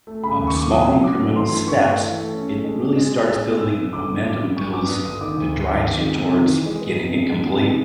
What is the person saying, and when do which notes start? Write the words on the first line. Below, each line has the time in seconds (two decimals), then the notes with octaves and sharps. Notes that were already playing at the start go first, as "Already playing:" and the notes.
um, small incremental steps, it really starts building the momentum builds that drives you towards getting it complete.
0.07 A3
0.23 C#3 B5
0.39 D#2
0.47 C#6
0.55 A3 D6
0.71 F#3 D#6
0.87 C#3
1.04 F#3 D6
1.19 A3
1.36 E3 C6
1.52 G2
1.67 G2 C#6
1.84 A3
2.00 E3
2.16 A3
2.32 C#4
2.48 A3
2.64 G#3
2.81 G#3
2.97 G#3
3.12 B2
3.29 G#3 E6
3.44 B2
3.60 B2 E6
3.76 B2
3.93 D3 D6
4.09 D3
4.24 D3 D6
4.41 G3
4.57 G3 C#6
4.73 G2 D6
4.89 G2 D#6
5.05 D3 D#6
5.21 D#3 D6
5.37 D2
5.54 D2
5.69 D#3
5.85 D#3
6.01 G#3
6.17 C3
6.33 D#3
6.50 E3
6.66 G#3
6.81 B3
6.97 C3
7.14 G#3
7.30 G#3
7.46 C3
7.62 G#3